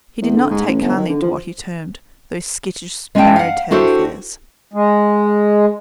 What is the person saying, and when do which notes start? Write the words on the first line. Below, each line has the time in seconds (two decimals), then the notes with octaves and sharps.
He did not take kindly to what he termed "those skittish sparrow-tailed affairs".
0.22 E2
0.37 D3
0.51 G#2
0.68 A1
0.81 G1
0.97 D#3
1.09 D3
1.22 F3
3.15 G#3 C#4 D5 F5 G5 A5
3.36 F5 F#5
3.71 D4 E4 F#4 G4 A4 C5
4.73 G#3